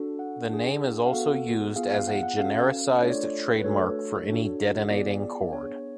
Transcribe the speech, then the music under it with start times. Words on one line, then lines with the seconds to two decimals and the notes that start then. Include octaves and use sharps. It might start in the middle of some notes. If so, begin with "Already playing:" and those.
The name is also used as a genericized trademark for any detonating cord.
Already playing: D4 F#4 A4
0.19 F#5
0.50 D4 G#4
1.07 F5
1.13 B3 F#4 A4 F#5
1.76 B3 F4 G#4 F5
1.91 F5
2.08 F#5
2.23 F#5
2.39 C#4 F#4 A4 F5
3.01 A3 D4 F4 A4 C#5
3.08 D5
3.16 C#5
3.59 B4
3.64 A3 D4 F#4 A4 C#5
4.27 D4 F#4 A4
4.90 B3 F4 G#4 D5
5.21 D5
5.53 B3 D4 G#4 C#5